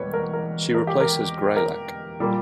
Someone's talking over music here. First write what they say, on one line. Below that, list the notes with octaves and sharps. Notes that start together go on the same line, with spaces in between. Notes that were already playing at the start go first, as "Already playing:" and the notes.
She replaces Greylek.
Already playing: E1 E2 B2 G3 A#3 B4 C#5
A#4
A#4
A#4
G4
A#4
A#4
A#2 G3 A#3